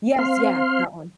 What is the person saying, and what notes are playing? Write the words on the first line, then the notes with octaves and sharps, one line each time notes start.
Yes, yeah, that one.
C4 F5 C6